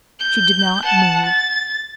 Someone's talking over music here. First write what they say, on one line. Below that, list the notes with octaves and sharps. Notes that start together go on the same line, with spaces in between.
She did not move.
G6
F#5 A5
A6